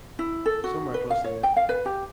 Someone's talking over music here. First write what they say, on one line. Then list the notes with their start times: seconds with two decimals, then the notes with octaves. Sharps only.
somewhere close to that.
0.19 E4
0.46 A4
0.64 F#4
0.94 B4
1.10 F5
1.24 C#5
1.43 G5
1.57 F5
1.69 B4
1.86 G4